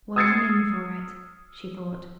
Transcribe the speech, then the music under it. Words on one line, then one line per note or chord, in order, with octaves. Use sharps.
"Well, I'm in for it," she thought.
D#6 E6 G#6 A6 C7 C#7